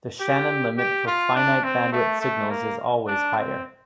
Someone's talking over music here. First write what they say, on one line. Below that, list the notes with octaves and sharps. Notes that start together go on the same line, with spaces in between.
The Shannon limit for finite-bandwidth signals is always higher.
G4
G4
F4
D4
C4
A3
A3
A#3
D4
C4